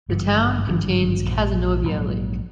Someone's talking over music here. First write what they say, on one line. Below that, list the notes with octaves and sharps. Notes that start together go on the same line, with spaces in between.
The Town contains Cazenovia Lake.
G#1 G2 D3 E3
G#1 G2 D3 E3
A#1 G#2 F3
A#1 G#2 F#3